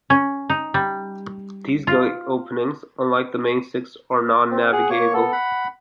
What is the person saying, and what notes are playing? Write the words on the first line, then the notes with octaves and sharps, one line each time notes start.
These gate openings, unlike the main six, are non-navigable.
C#4
D#4
G3
F4
C4
G#4 F#5
A#3 C#5 C#6
B3 A4
F#5 B5